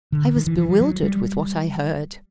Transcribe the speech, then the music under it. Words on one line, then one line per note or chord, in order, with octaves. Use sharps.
I was bewildered with what I heard.
D3
D#3
E3
E3
F3
F#3
G3